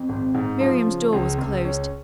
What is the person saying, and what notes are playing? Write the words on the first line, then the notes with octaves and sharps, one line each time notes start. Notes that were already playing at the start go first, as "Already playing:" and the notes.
Miriam's door was closed.
Already playing: F2
G#1
G#2
F3
C#3
C#2
C#2
C#4